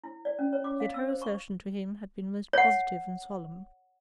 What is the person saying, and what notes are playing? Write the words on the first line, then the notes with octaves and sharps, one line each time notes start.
Yet her assertion to him had been most positive and solemn.
E4
D5
C#4
C#5
D6
F5
E6
C5
C#6
C#5 F#5